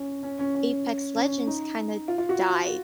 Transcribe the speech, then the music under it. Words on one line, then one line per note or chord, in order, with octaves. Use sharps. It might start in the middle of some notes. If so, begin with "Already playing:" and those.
Apex Legends, kinda, died
Already playing: C#4
C#4
C#4
C#4
C#4
D#4
F4
F4
F#4
F4